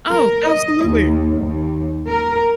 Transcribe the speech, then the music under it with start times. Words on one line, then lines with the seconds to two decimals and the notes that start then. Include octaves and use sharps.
Oh, absolutely.
0.12 A#4
0.48 D#5
0.86 D#2
1.42 D#2
2.10 A#4